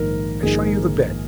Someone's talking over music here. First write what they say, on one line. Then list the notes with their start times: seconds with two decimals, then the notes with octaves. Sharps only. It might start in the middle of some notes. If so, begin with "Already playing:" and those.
I show you the bed.
Already playing: A#1 G#2 D#3 A#4
0.43 A#1 G#2 D#3 G#4